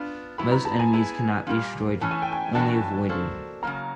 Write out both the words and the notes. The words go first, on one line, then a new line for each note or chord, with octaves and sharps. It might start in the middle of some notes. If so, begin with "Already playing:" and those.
Most enemies cannot be destroyed, only avoided.
Already playing: B3 D4 F4
F#3 B3 E4 G4 B5
A#5
A5
G#5
B3 E4 G#4
A#2 G3 A#3
E3 A3 C#4 A5
G#5
G5
G#5
A2 E3 A3 D4 F#4 A5
A#3 D4 F#4 A4 C5
C#3 F#3 A#3 A#5